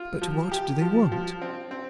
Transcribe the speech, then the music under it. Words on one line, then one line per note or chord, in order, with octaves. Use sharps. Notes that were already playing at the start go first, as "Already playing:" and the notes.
"But what do they want?"
Already playing: F4
F3
G4
F3
F3
C4
C4